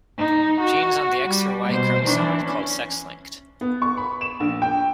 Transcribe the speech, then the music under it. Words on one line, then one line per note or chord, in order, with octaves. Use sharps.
Genes on the X or Y chromosome are called sex-linked.
D#4
F#4
G3
B2 C5
E3 D4
C#4
B3
C#6
B5
E7
A#1
G5